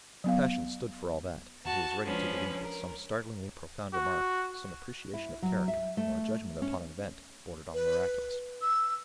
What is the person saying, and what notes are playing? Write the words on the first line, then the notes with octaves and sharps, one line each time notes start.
Passion stood for all that, and he was ready to believe that some startlingly profound remark, some appreciation of character, or a judgment upon an event, bordered on the miraculous.
F#3 B3 F5
F#4 A5
F3 G#3 C#4 D4 B4
A#4
F#4
E4
F#3
E5
A3
C#4
B4
E6